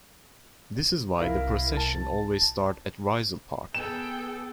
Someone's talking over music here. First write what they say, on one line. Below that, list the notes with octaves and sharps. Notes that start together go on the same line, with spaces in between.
This is why the procession always start at Rizal Park.
C2 E4 A#4 F5
A5
B3 G#4 A4 G5 E7